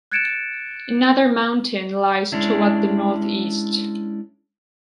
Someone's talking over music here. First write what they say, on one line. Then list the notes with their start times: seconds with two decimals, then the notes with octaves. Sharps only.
Another mountain lies toward the northeast.
0.11 F#6 G#6 A6 C#7 D7 E7
2.32 G#3 C#4 D4 E4